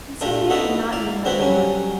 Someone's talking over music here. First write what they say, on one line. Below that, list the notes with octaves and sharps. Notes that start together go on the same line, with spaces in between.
And Sylvia did not need another word.
A#2 A3 D4 F4 G4 A#4
A3 B3 D#4 E4 F#4 B4
E4 D5 F5
D3 C4 D4 F4 F#4 B4
F#3 G3 C#4